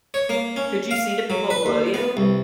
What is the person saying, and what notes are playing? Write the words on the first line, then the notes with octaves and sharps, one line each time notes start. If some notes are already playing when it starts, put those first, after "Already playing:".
Could you see the people below you?
C#5
A#3
C#4
F5
F#3
B4
D#2
B3
C2